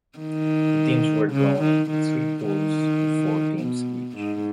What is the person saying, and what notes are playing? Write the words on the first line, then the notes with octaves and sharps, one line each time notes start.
The teams were drawn into three pools of four teams each.
D#3
C#3
D#3
D#3
D#3
B2
G#2